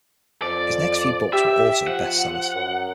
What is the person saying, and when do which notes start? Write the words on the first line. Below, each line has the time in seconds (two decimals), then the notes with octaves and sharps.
His next few books were also bestsellers.
0.42 F2 D5
1.33 G4 E5
1.87 F3 F#5
2.54 F#2